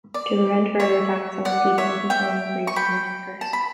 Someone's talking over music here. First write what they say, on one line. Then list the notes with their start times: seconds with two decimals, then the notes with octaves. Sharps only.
To prevent further attacks on his people, he finally agrees to lift the curse.
0.14 D5
0.80 C#5 E5
1.45 D5 F#5
1.78 C#5 E5
2.10 E5 G5
2.67 C#6
2.76 G5 B5
3.41 A5
3.53 B5